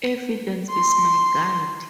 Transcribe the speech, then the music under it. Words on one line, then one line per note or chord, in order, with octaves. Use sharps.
Evidence is my guide.
C6